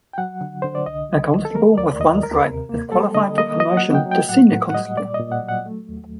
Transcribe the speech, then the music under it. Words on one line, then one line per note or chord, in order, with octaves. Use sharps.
A Constable with one stripe is qualified for promotion to Senior Constable.
G5
F#3 F#5
D3
D3 C5
D5
C2 D#5
F#3
D#3
A4
A3 A#4
D#2 D5
D#2 D#5
D2 A#4
C3
A#3
G3 A4
D3 D#5
A#3 D#5
F#3 D#5
F#5
F#3
G5
F#3
G5
A2 F#5
A2
F#5
G3 D#5
A#2 D5
D#5
A#2
F#5
F#3
F#5
A3
D#2